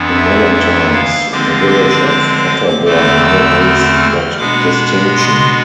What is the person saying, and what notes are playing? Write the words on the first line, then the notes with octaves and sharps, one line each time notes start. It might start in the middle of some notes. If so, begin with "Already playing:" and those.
In modern times, the village of Otterburn now holds that distinction.
Already playing: F2 E3 B3 D4
E5
E5
F5
D3 F3 G#3 C4 D6
D6
D6
E2 D3 A3 C4 D6
E6
F6
F6
B2 G#3 B3 D4 D6
B5
C6